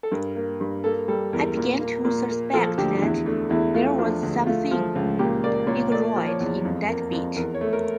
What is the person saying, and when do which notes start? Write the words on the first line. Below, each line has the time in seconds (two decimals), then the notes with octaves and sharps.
I began to suspect that there was something Negroid in that beat.
0.03 A4
0.12 G2 A#4
0.36 A#3
0.61 G2
0.84 A#3 A4
1.08 G3 A4
1.33 E2 A#4
1.57 A#2
1.81 A#3
2.05 A#2
2.30 A#3
2.53 F3 A4
2.66 A4
2.78 D2 G4
2.97 D4
3.01 E2 E4
3.26 A3 D4
3.50 E2 E4
3.74 A3 F4
3.98 F3 D4
4.23 D2
4.46 A3 F4
4.71 F3
4.95 C#2
5.19 A#2 G4
5.44 A#3 D5
5.67 A#2 C#5
5.92 A#3 D5
6.16 F3
6.27 C#5
6.40 E2
6.65 F2
6.88 A#3
7.12 F2
7.36 E2 A#4
7.54 C#5
7.61 A3
7.73 A#4